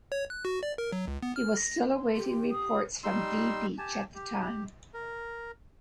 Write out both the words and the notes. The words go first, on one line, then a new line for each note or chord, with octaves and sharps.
He was still awaiting reports from V Beach at the time.
C#5
F#6
F#4
D5
A#4
F#3
C#2
B3
F6
A#6
C6
G4
D#6
G3 D#4 C6 E6
G4 G#5 A5
G4
A#4